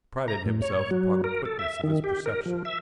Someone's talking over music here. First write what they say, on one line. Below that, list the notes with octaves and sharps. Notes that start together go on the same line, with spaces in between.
He prided himself upon the quickness of his perception.
A#5
A2
C#5
F#3
A#4
A4
E5
D#3
G4
A#4
F3
E5